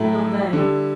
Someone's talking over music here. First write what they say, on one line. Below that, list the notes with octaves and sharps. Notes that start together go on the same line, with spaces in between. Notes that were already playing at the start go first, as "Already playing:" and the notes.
Not they!
Already playing: A2 F#3 A3 E4
D3 G3